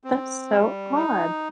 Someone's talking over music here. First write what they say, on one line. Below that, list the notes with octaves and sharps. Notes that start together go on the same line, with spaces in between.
That's so odd.
C4
G3
D#4